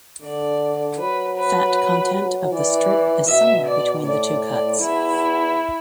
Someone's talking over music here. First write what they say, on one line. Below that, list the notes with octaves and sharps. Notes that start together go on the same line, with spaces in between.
Fat content of the strip is somewhere between the two cuts.
D3 D5
F#3 B4
B4
E3 D5
B2 E5
D5
A2 D5
D5
E2 E4